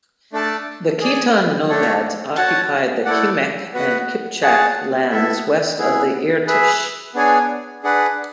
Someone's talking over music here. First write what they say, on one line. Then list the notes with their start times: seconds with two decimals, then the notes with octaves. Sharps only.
The Khitan nomads occupied the Kimek and Kipchak lands west of the Irtysh.
0.33 A3 D4 A4 D5 A5
1.01 G#4 D5 G#5
1.69 A3 D4 A4 C#5
2.37 F#4 C#5 F#5 A5
3.05 A3 E4 A4 D5 F#5
3.73 B3 F#4 B4 F#5
4.42 G#4 C#5 F#5 A5
5.10 B3 E4 A4 E5
5.78 B3 E4 G#4
6.47 G#4 B4 E5
7.15 B3 D4 G#4 C#5 G#5
7.83 D4 G#4 B4 F#5